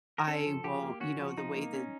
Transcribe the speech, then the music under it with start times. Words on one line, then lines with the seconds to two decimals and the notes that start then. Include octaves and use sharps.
I won't" You know, the way the
0.18 A#4
0.28 C#4 A4
0.46 F3
0.64 F3 G4
0.83 A#3
1.00 C#4 F#4
1.19 F3
1.37 F3 D#4
1.56 A#3
1.74 C#4